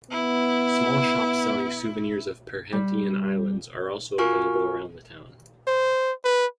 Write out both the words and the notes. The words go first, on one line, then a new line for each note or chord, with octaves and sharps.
Small shops selling souvenirs of Perhentian Islands are also available around the town.
B3 E4
G3
F4 F#4 A#4 G#5 C#6 F6
C5
B4